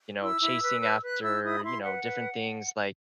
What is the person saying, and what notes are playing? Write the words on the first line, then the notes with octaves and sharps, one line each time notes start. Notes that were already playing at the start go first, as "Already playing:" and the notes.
you know, chasing after, you know, different things like
E4 E6
E4
B4
B4
B4 F#6
E4 E6
E4 D#6
B5
E4 C6
B4 F#5
B4